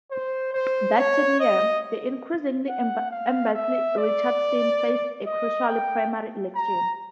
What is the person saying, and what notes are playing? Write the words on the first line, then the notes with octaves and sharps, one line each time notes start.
That same year, the increasingly embattled Richardson faced a crucial primary election.
C5
C5
C#5
D#5
F#5
F5
E5
D5
D#5
G5
A#5